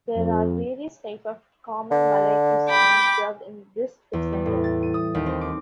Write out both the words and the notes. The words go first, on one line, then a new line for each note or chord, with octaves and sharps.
There are various type of common Malay cuisine served in this food centre.
F2
D3
G5 B5 D6
E2
G3
A2
A6
D#7
D#6
D#2
C4
D6